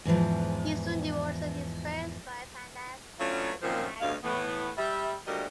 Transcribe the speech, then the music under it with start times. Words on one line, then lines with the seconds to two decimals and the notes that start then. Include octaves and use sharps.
He soon divorced his first wife and asked Nora to marry him.
0.05 E2 G#2 E3 F3
3.19 F#3 A3 C#4 D4 F4
3.62 F#2 A#2 D#3 F3 C4 C5
4.00 D2 G2 B2 F5
4.24 A2 E3 B3
4.78 G3 E5
5.27 D2 A#2 G3 F#4 A#4 D#5